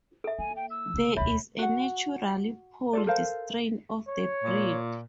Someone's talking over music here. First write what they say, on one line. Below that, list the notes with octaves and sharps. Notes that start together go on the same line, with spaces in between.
There is a naturally polled strain of the breed.
A4 E5
A#3 G#5
G5
E6
C#3 A3
E1 D2 C#5 E5 B5
F#4 F#5
F4 A4 D5
A4 A#4 C5 F5
C#5
A#2